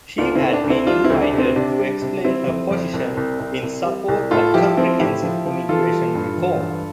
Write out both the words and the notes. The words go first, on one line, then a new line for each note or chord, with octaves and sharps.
She had been invited to explain her position in support of comprehensive immigration reform.
D2 D4 F4
C4 E4
D2
D4
D2
C4 E4
G3 D4 F4
C4 E4
D2
D4
C3
C4
C3 D4
G3
C3
G3 C4 E4
F2
F2
C2
C2
C2
C2
G3
C2
A2 F4 A4
F3 E4 G4
F3 C4 E4
A2 E4 G4
F3
F3
E3 F4 A4
G3
G2
E3
G2